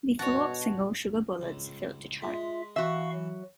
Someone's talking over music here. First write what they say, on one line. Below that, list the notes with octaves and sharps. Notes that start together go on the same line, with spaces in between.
The follow-up single, "Sugar Bullets", failed to chart.
B2 F#4 C#5 A5
C#2
G#3 F4 E5
E3 F#4 E5 F5 C#6
F#3